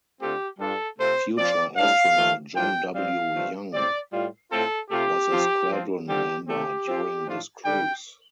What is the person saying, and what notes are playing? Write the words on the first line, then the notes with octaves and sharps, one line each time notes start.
Future astronaut John W. Young was a squadron member during this cruise.
D3 A3 C4 F4 G4
G2 G3 D4 F4 A4
C3 A3 C4 F4 C5
F3 C4 F4 D5
A2 G3 D4 F5
F3 A3 F4
A2 F3 D4 F4 G5
G2 G3 C4 F4 F5
G2 F3 A3 C4
A2 G3 C4 D5
A2 G3 F4
A2 A3 C4 F4 A4
C3 A3 F4 G4
F3 C4 F4
F3 C4 F4
D3 G3 C4 F4 G4
C3 A3 C4 G4
F3 C4 F4
A2 F3 A3 D4 F4
G2 D3 G3 D4 G5